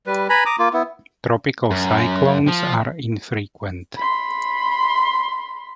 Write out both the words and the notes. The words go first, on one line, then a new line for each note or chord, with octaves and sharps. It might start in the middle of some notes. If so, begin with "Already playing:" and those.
Tropical cyclones are infrequent.
G3 B4
B4 G#5 A#5 B5
A#5 D6 D#6
A#3 F4
B3 E4
F#2
F3
B5 C6